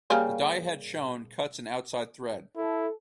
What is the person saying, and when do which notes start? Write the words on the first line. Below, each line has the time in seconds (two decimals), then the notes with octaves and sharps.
The die head shown cuts an outside thread.
0.10 C#3 G3 A#3
2.57 E4 A4